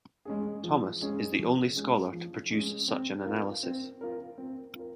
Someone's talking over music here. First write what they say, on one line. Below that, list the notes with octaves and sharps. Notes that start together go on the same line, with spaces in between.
Thomas is the only scholar to produce such an analysis.
G#3 C#4 G#4
F3
G#3 C#4 G#4
F3
G#3 C#4 G#4
F3
G#3 C#4 G#4
C4
F4 A#4
C4
F4 A#4
C4
F4 A#4